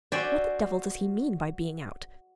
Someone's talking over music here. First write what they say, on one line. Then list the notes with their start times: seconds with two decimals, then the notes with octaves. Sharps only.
What the devil does he mean by being out?
0.12 F#4 C5 D5 E5 G5 G#5